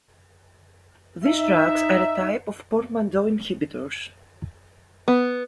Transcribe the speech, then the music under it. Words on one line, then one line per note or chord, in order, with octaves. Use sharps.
These drugs are a type of "portmanteau inhibitors".
D#4 E5
B3